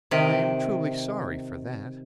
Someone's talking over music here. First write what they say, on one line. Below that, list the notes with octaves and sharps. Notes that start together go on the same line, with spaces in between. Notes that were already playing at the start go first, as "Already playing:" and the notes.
"I am truly sorry for that."
C3 D#3